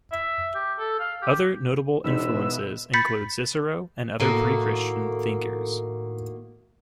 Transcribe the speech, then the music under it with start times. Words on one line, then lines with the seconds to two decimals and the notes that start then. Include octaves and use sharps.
Other notable influences include Cicero and other Pre-Christian thinkers.
0.12 E5
0.55 G4
0.79 A4
1.00 F5
1.22 G4
2.04 E1 B2 G#3 D#4 E5 E6 B6
2.94 B5 G6 A6 B6 C#7
4.20 A2 D#3 A#3 F#4 A4 A#5